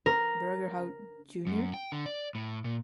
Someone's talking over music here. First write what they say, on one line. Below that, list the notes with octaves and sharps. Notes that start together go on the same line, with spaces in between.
Burgerhout jr.
A#4
F#2
G5
D3
D5
A2
A#2